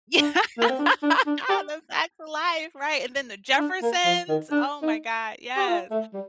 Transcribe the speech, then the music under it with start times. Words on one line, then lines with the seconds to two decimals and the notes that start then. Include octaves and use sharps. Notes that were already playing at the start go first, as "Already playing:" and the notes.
Yeah, The Facts of Life, right, and then The Jeffersons, oh my god, yes.
0.17 D4
0.58 A#3
0.69 C4
0.79 D4
1.03 D4
1.26 D4
1.49 G4
3.58 D4
3.82 A#3
4.05 F3
4.28 D#3
4.51 D4
4.82 D#4
5.57 G4
5.68 F4
5.91 A3
6.14 G3